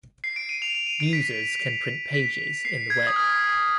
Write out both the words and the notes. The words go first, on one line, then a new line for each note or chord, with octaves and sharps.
Users can print pages in the web.
C7
D7
D#7
F7
F7
D#7
D7
B6
B6
C7
G#6
D#6
F6